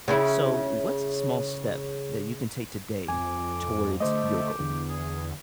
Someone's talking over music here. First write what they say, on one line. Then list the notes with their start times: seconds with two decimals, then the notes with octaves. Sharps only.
So, what's a small step that you can take today towards your goal?
0.08 C#3 C#4 E4
3.08 F2 G#5 D6
4.00 D3 A3 G4 C5 D#5
4.60 E2 D3
4.89 G#4